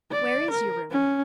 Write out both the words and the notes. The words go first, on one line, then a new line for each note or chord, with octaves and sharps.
"Where is your room?"
D5
A#4
C#4